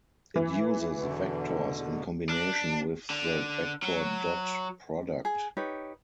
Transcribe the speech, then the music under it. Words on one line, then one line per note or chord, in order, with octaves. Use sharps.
It uses vectors in combination with the vector dot product.
E3
E2 B2 D3
D4
D3
F#3
G#4
D#4 G4 B4 C#5